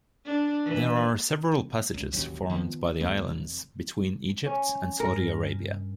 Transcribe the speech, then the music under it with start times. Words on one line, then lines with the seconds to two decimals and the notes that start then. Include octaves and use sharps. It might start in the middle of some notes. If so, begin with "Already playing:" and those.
There are several passages formed by the islands between Egypt and Saudi Arabia.
0.25 D4
0.64 E3
1.94 C#2
2.12 E1 A1 D#2 F#3
2.50 D#3 F3 G#3 B3
3.00 D#2 A3 B3
3.27 F1
4.46 C#4
5.00 G2 A#4